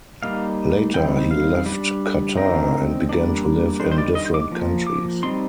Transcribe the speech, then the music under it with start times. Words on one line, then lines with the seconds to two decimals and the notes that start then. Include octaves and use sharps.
Later he left Qatar and began to live in different countries.
0.23 G3 A#3 D#4 F5
0.94 G3 C4 D#4 G5
1.31 F5
1.66 G3
1.71 D4
2.37 D3 A3 C4 D#4 A#4
3.09 G3 A#3 D4
3.80 D#3 G3 D4 C5
3.92 C5
3.98 D5
4.15 D#5
4.34 D6
4.51 F3 A#3
4.87 D6
5.23 G3 C4 D#4 C6